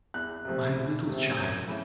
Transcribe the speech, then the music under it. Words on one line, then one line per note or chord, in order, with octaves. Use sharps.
"My little child!"
E2 F#6
C3 F3 A3
E2
C3 F3 A3
G#6
F#2 G6
C#3 E3 A3